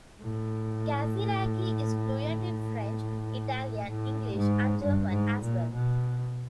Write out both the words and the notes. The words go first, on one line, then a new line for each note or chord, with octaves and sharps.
Casiraghi is fluent in French, Italian, English and German as well.
A2
A2
G#2
G2
G#2
A#2
B2